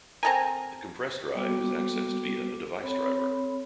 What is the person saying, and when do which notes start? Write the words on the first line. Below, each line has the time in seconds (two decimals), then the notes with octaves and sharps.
The compressed drive is accessed via a device driver.
0.23 C4 A4 A#4 G#5 A#5
1.35 G3 A#3 B3 F#4 A4 D6
2.82 C4 A4 C#5 B5